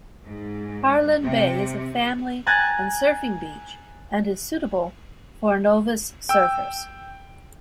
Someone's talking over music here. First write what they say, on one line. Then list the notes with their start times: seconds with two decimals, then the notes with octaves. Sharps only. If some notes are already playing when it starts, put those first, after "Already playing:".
Harlyn Bay is a family and surfing beach and is suitable for novice surfers.
0.25 G#2
1.23 C3
2.47 G#5 A#5 F#6 G#6 A6 D#7
6.29 G5 E6